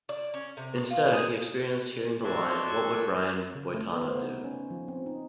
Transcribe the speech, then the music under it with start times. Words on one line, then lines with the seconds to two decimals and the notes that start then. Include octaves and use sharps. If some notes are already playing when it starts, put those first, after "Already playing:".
Instead, he experienced hearing the line What Would Brian Boitano Do?
0.09 D5
0.34 C#4
0.57 C3
0.90 F4
1.13 G#4
2.23 F#4 A4 C#5 D5 E5 C6
3.55 C#3
3.74 A3
3.93 B3
4.07 C5
4.21 D#4
4.44 C#4
4.70 F3
4.88 C4
5.06 D#4